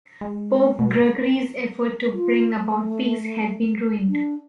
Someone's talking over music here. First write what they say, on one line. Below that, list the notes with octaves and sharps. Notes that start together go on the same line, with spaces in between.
Pope Gregory's efforts to bring about peace had been ruined.
G#3
B2
F4
A3
D4